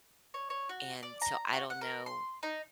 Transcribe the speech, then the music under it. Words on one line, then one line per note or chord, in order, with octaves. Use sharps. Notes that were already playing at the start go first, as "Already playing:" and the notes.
and so, I don't know
C#5
C#5
F#4
D5
A#5
F#4
F#5
A#4
C6
D#4